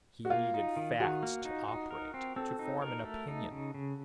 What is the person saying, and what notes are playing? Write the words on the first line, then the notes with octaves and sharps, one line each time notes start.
He needed facts to operate, to form an opinion.
F#4
A#3 F4
D#4
D#3
D#3 F#4
A#3
D#4
D#4
A#4
C4
C4 A4
D#4
A#4
A3
D#4
C#3
C#3